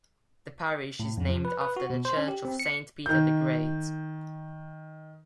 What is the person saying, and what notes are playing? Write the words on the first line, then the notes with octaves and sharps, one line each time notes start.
The parish is named after the church of Saint Peter the Great.
A2
F2
F3
B4
B4
F#4
B2
C5
C#4
G4
C4
C#7
D#3 G6